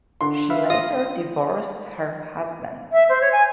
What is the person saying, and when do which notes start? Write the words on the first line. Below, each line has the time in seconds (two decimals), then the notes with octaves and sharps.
She later divorced her husband.
0.21 D3 C6
0.50 B4 E5 F5
0.70 F4 D#6 A#6
2.92 E5
3.09 C5
3.21 C#5
3.32 G#5